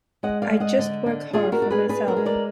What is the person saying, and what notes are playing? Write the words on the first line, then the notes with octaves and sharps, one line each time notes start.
I just work hard for myself.
G#3 D#5 F#5
D5 F5
G#3
D#5 F#5
D3
D4
D4 F4 G#4
F#4 A#4
D4
G#4 B4
D4 G#4 B4
F#4 A#4
G#3
A#4 D5